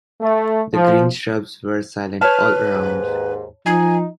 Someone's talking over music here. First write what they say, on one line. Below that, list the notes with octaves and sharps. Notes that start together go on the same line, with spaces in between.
The green shrubs were silent all around.
A3
F3
B4 C#5 A5 F6
D#2 G#2
F3 D#4 G#5